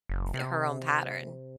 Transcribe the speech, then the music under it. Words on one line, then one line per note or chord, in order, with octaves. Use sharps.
the her own pattern
F#1
C3